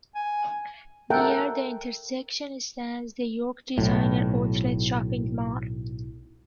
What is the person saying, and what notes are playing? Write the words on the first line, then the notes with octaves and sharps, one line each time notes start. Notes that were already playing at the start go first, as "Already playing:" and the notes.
Near the intersection stands the York Designer Outlet shopping mall.
G#5
A4 A#4 E5 F#5 G5
B1 A2